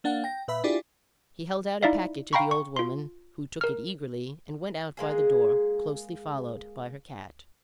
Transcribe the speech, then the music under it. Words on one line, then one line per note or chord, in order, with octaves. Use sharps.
He held out a packet to the old woman, who took it eagerly and went out by the door, closely followed by her cat.
A#3 D4 F5 F#5
G5 A#6
A#2 B4 E5 B5
D4 E4 F4 G4 G#4 D5
D#4 E4 D5 E5 F5
F5 G5 A#5 B5 C#6
C#6
F4 C6
A#4 F6
G#3 A#3 G#4